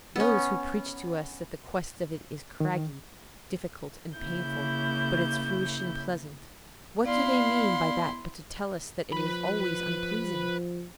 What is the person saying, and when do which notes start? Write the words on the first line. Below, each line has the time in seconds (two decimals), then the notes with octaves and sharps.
Those who preach to us that the quest of it is craggy, difficult, and painful, but its fruition pleasant, what do they mean by that but to tell us that it is always unpleasing?
0.16 B3 C#4
2.60 D#3
4.18 C#3 A#3 E4 G6
7.05 B3 E4 D5 F5 C6
9.13 F3 B4 B5